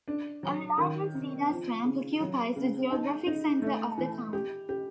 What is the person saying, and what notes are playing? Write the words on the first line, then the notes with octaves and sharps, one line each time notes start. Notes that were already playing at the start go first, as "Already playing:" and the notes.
A large cedar swamp occupies the geographic center of the town.
D4
F#3
D#3
C3
F3
C#3
F#3
C#3
D#4
D#4
A3
E3
G4
G4